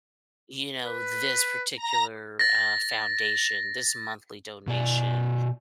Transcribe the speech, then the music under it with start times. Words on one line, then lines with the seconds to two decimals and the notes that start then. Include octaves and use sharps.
you know, this particular, uh, foundation, this monthly donation,
0.85 B4
1.76 A#5 A#6
2.39 A6 A#6
4.67 B2 D5